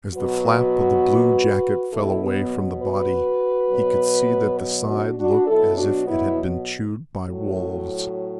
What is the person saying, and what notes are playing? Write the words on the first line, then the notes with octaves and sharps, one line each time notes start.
As the flap of the blue jacket fell away from the body, he could see that the side looked as if it had been chewed by wolves.
B2 F#3 F#4 B4
B2 F#3 E4 A4
B3
F#4 B4
B2 F#3
F#4 B4
D4 F#4
D4 F#4
B2 F#3 E4 A4
D4 F#4
B3 E4
A2 F#3